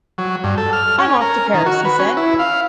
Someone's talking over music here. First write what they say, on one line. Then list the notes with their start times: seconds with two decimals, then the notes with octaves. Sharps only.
I'm off to Paris', he said.
0.18 F#3
0.44 G2
0.58 A4
0.73 F6
0.98 C#4
1.21 A#4
1.54 D#3
1.66 F#4
1.85 B4
1.99 C#4
2.17 E4
2.39 F5